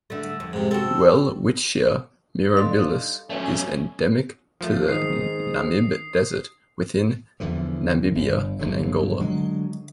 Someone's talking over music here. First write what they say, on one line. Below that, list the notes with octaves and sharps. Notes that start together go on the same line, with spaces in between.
"Welwitschia mirabilis" is endemic to the Namib desert within Namibia and Angola.
D3 A3
F2
G#2 C3
C4 F#4 A4
G3 D4 D#4 A4 F5 C6
F3 F#3 A3 C#4 C#5 A5
F3 A3
G#2 D#3 D#6 C7
E2 D3 E3 F3
G1
G1 D3 F#3
D3 F#3 G#3